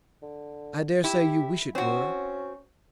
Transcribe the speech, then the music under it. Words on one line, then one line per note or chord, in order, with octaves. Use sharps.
"I dare say you wish it were."
D3
E4 G4
C4 C#4 F#4